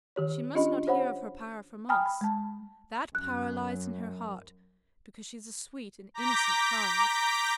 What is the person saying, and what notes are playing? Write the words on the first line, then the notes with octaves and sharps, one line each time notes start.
She must not hear of her power from us; that power lies in her heart, because she is a sweet and innocent child!
D#3 G4 C#5
C#4 D4 F4 G4 D#5 B5
G4 C5 C#5 F#5 B5
G5 G#5 A#5 B5 D#6 F6
B5
G#3 A5
F#2 F#6
A#5 D6 G6 A#6 B6